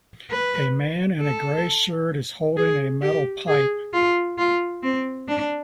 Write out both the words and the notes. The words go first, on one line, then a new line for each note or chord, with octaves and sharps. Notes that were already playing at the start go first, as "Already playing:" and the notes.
A man in a gray shirt is holding a metal pipe.
B4
A4
G#4
G4
G#4
F4
F4
C4
D4